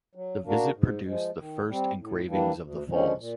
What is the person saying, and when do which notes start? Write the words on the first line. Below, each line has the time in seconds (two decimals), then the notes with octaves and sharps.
The visit produced the first engravings of the falls.
0.15 F#3
0.46 A#3 D4 F#4 A#4
0.76 G#2
1.06 F3 G#3
1.37 D#3
1.68 G3 C4
1.97 A2
2.28 E3 G3 A#3 D4
2.59 D2
2.89 D3 F3 G#3 C#4
3.19 A#2